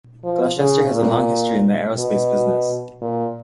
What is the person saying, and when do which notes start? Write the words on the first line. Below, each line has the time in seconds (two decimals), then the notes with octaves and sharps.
Gloucester has a long history in the aerospace business.
0.24 F3
0.58 C#3
0.93 A#2
1.97 B2
3.01 A#2